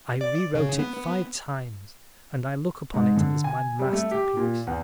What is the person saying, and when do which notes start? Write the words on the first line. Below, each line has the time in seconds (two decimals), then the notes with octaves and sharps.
I rewrote it five times and I look upon it as my masterpiece.
0.21 D5
0.55 C#3
0.79 B3
2.94 G#2
3.16 D3
3.44 G#5
3.79 G3
3.93 A3
4.11 G4
4.37 A#2
4.67 E2